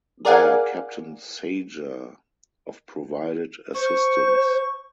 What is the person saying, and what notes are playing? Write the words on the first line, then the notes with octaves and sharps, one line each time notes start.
There Captain Sager of provided assistance.
G#4 A#4 D5 F5 F#5 G#5
C5 C#6